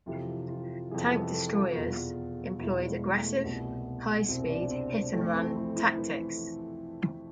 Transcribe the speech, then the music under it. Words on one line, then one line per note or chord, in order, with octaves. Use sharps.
Tank destroyers employed aggressive, high-speed hit-and-run tactics.
F2 C3 E3 F4
F4
F2 C3 E3 G#4
B4
A4
F4
E2 B2
E2 B2 E4
G#3
A3
C2 B2 B3
C2 B2 C4
D4
C4
D4
F2 E3 A3
C4
E4
E4
E3 B4